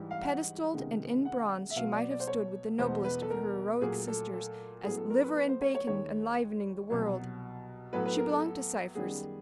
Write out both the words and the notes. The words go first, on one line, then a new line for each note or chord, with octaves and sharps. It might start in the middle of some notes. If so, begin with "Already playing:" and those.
Pedestalled and in bronze she might have stood with the noblest of her heroic sisters as "Liver-and-Bacon Enlivening the World." She belonged to Cypher's.
Already playing: G#2 E3 G3
F5
F#5
C#2 C3 D#3 G#3 B3
F#5
E5
B2 F#3 B3 F5
D5
D5
C5
C#5
E2 B2 G#3 B3 C5
B4
A4
A#4
A#2 F#3 A3 G#4
A4
A4
A2 F#3 B3 G#4
A4
A#4
B4
B4
C5
C#5
C#5
D#2 D#3 G#3 C#5
C2 B2 F#3
A2 F#3 B3 B4
B4
A#4
A4
A4
F#2 D#3 G3 B3 G#4